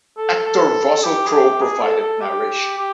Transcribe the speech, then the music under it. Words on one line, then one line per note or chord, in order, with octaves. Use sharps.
Actor Russell Crowe provided narration.
A4
A4
G4
G#4
G4
G#4
A4
A4
G4
G4